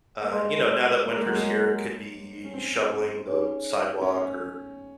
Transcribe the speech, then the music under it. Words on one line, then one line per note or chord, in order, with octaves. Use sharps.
uh, you know, now that winter's here, it could be shoveling the sidewalk or,
A#3
G#3 G#4 D#5 G#5 C6
A#3
G#3
F#3
G#3
C#4
C4
C#4 D#4 G#4 C#5
C#4